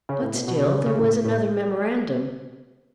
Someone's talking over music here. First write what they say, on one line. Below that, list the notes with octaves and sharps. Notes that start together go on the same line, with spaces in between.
But still there was another memorandum.
C#3
A2
B2
B2
C#3
C#3
A2
A2